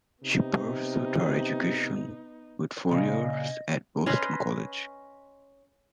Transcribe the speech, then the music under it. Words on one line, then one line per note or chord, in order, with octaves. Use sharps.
She pursued her education with four years at Boston College.
C3 B3 D#4
A#2 C#3 D#5
C#4 B4 D#5 C6